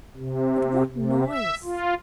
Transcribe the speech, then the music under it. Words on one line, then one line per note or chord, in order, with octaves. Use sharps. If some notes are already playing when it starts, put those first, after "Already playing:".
But what noise!
C3
C3
E5
F4